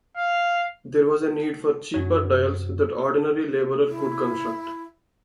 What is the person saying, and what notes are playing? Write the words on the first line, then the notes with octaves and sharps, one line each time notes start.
There was a need for cheaper dials that ordinary laborer could construct.
F5
F#2 F#3
E4